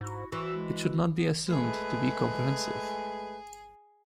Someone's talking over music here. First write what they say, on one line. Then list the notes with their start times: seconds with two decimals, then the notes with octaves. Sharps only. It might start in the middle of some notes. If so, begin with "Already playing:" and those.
It should not be assumed to be comprehensive.
0.01 G#2 E4 F#4
0.32 E3 F#4 E6
0.55 G#3
1.16 B3 E4
1.49 G#3 A3 G#4 B4